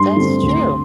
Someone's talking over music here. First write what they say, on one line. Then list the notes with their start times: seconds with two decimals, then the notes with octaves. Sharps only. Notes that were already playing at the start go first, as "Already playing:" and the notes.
That's true.
Already playing: G2 C6
0.17 D3 A3 C4
0.43 D2